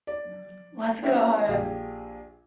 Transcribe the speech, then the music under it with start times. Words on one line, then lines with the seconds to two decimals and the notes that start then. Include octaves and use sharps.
Let's go home.
0.07 D5
1.03 G3 B3 C#4 E4 E5
1.48 A#1 G4 G#4 F5